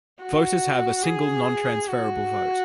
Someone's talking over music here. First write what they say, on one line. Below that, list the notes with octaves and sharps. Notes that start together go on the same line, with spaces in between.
Voters have a single non-transferable vote.
F#4
G#4
F#4